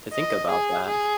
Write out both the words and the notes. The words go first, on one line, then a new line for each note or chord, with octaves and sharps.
to think about that.
D#5
G#4
G#4